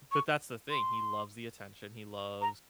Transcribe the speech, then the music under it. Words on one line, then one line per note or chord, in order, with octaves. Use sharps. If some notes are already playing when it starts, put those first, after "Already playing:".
but that's the thing, he loves the attention, he loves
C#6
C6
A#5